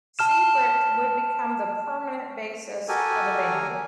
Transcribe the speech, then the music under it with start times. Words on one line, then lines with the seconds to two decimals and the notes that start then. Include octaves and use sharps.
Siebricht would become the permanent bassist for the band.
0.19 A5 F6 E7
2.88 F#4 G4 A4 A#4 G#5